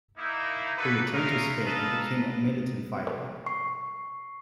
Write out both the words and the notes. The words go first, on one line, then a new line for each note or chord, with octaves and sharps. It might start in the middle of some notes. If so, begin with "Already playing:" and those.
He returned to Spain and became a militant fighter.
A#3 D#4 E4
D4 F#4 A4 B4
C#4 D#4 F4 A#4 E5 F5
A4 B4 D#5 F5 A5 A#5
C#6 C7